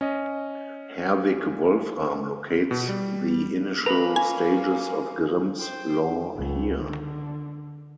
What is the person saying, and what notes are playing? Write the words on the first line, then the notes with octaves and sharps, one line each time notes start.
Herwig Wolfram locates the initial stages of Grimm's Law here.
C#4 D#5
B2
G3
A#3 C#4 B4 A#5 B5
G#5
C5 G5
C#2
D3